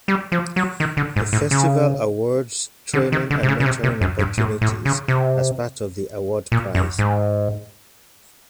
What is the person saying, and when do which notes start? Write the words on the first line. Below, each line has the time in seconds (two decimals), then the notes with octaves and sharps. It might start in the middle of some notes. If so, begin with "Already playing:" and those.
The festival awards training and mentoring opportunities as part of the award prize.
0.08 G3
0.32 F3
0.56 F#3
0.80 D#3
0.97 D3
1.16 G#2
1.33 A2
1.51 C#3
2.94 D3
3.12 D#3
3.31 D3
3.43 C3
3.48 C#3
3.60 C#3
3.66 C3
3.83 C3
4.01 F#2
4.19 G2
4.38 A2
4.62 A2
4.85 C#3
5.08 C3
6.52 A#2
6.75 F#2
6.99 G#2